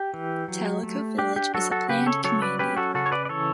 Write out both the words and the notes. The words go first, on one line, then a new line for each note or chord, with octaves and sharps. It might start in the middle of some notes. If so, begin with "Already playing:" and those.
Tellico Village is a planned community.
Already playing: G4
E3
F#3
A3
D4 G4
G4
F#3 F#4 A4
F#4 A4
C#3 G4 B4
A4 C#5
F#3 A4 C#5
B4 D5
C#4 G4 B4
F#4 A4
C#3 F#4 A4
C#5
B4 D5
D5
E3 A4 C#5